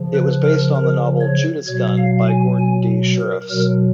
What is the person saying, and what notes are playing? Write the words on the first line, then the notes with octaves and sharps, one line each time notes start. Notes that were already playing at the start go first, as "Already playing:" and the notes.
It was based on the novel "Judas Gun" by Gordon D. Shirreffs.
Already playing: C#3 F3
B4
A#4
A#4
C#5
B2 C#5
F#3
F5
G#5
G#5
A#4
B2 F#3 A#4